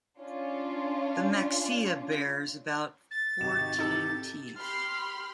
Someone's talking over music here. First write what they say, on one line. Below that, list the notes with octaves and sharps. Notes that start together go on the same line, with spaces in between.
The maxilla bears about fourteen teeth.
C#4 D4 F4
A6
G#1 C3 D#4 F#4 G4 E7
D#4 G4 A4
G4 B5 C6 F6